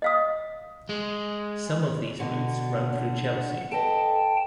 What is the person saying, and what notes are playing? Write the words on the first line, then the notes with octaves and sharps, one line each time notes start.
Some of these routes run through Chelsea.
D#5 F5 D#6
G#3
B2 D3 F#4 F#5
A4 B4 D#5 G5 A5